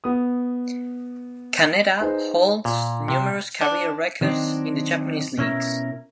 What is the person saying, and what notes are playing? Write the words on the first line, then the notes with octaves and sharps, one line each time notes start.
Kaneda holds numerous career records in the Japanese leagues.
B3 D#6
D#4 G#4 B4 C5
A#2
C3
D4
D#3 F#3 C4 D4 D#4
B2 C#4 E4 A#4